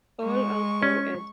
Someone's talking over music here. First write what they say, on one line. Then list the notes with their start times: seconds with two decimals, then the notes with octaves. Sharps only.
All are co-ed.
0.23 G#3 C#6
0.83 C#4